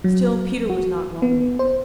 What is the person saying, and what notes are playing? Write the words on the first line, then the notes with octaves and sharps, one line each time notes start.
Still Peter was not lonely.
F#3
F#4
B3
C5